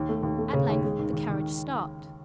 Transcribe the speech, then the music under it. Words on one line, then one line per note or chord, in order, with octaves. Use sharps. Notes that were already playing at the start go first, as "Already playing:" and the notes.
At length the carriage stopped.
Already playing: D#2
A3
D#2
A3
C#3
D#2
G#3
D#3
D#3
D#3